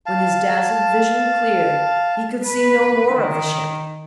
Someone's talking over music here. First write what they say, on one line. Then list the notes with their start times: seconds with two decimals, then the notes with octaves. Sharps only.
When his dazzled vision cleared, he could see no more of the ship.
0.06 F5 A5
2.44 B4
3.15 D#3